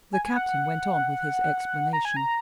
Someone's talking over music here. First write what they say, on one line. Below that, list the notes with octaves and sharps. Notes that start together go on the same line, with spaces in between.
The Captain went on with his explanation.
G#5
G#5
F#5
A#5
G#5
A#5